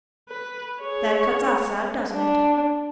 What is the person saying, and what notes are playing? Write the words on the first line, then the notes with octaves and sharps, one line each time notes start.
"That cuts us out, doesn't it?"
B4
G#4 C#5
D4